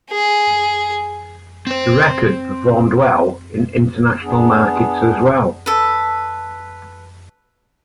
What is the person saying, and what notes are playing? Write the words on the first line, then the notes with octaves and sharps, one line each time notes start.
The record performed well in international markets as well.
G#4
C4 C5
B3 D4 G#4
A4 B4